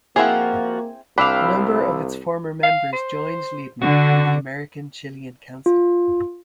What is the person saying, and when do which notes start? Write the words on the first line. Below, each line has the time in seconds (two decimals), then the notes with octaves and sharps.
A number of its former members joined Liebman in the American-Chilean Council.
0.16 F3 A#3 C4 E4 F#4 G#4
1.18 C2 D4 F5 G5 B5 E6
2.63 F5
2.93 C5
3.82 D3 F#4
5.66 F4